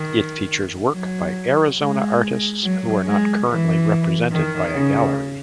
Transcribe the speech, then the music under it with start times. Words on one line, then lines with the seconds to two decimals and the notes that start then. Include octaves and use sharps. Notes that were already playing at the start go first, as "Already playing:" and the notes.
It features work by Arizona artists who are not currently represented by a gallery.
Already playing: D#3
0.93 F#3
1.79 G#3
2.63 F#3
3.06 G#3
3.47 E3
4.32 D#3
4.75 C#3